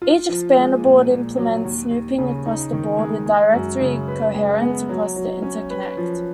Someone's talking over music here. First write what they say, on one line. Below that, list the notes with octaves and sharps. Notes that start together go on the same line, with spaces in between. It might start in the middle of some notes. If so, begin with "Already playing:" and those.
Each expander board implements snooping across the board, with directory coherence across the interconnect.
F4
F3
G#3
A#2
A#2
F#3
D#2
D#2
C#3
D#4
D#3
G#3
G#3
F#2
C#3
B4
G#3
B3
F#3
F#3
C#4
B4
F3